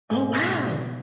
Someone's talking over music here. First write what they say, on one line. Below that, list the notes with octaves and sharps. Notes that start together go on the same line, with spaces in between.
Oh, wow.
G#2 B2